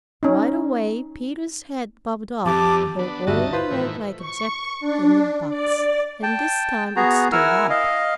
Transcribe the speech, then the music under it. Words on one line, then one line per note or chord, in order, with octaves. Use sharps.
Right away Peter's head bobbed up for all the world like a jack-in-the-box, and this time it stayed up.
C#4 D#4
F2 G4 A5 D6
B3 D4
G1 D#2 G3 F#4 D#5 E5 A5
F4 B4 C5
A2 D#3 E3
C#6
D4
D5
G5 A5
B3 F#4 G#4 A#5
E4 A#4 F#5 G#5 E6 F6
D#5 F5